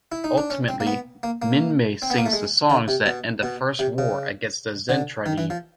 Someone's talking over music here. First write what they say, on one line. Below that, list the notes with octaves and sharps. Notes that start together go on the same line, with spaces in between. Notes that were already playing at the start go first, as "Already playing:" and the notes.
Ultimately, Minmay sings the songs that end the first war against the Zentradi.
E4
D#4
D4
C#4
C4
A#3
B3
A#3
A#3
C4
B3
A#3
A3
G#3
D3
C3
B2
B2
C3
C#3
D3
D#3
E3
F3